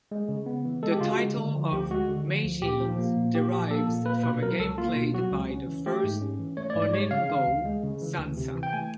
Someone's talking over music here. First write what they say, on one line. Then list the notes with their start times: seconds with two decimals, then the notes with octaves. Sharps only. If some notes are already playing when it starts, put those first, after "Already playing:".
The title of "Meijin" derives from a game played by the first Honinbo, Sansa.
0.11 G#3
0.29 C#3
0.46 B3
0.65 E3
0.83 G#3 A4
0.92 G4
1.01 C#3 F4
1.09 F#4
1.19 G#3
1.37 D3
1.55 F3
1.72 D2 G4
1.90 G#3 F#4
2.09 D3
2.27 F3
2.44 D2
2.62 A#2 G4
2.80 F3
2.98 A#3
3.17 A#2
3.34 A#2 G4
3.52 F3 G4
3.71 A#3 A4
3.88 A#2
4.06 A#3 B4
4.23 B2 B4
4.42 F#3 A#4
4.59 C#2 A4
4.78 A#3 F4
4.96 B2
5.14 F#3 F#4
5.32 C#2
5.50 C#4
5.67 E3
5.86 A3 G4
6.04 G#2
6.22 C#4
6.39 E3
6.57 A3 C#5
6.70 D5
6.75 G#2
6.82 D5
6.94 G#3 C#5
7.11 C#3 F5
7.30 E3 F5
7.47 D2
7.65 G#3
7.83 C#3
8.02 E3
8.19 D2
8.37 C3
8.55 E3
8.63 G5
8.73 A3 G#5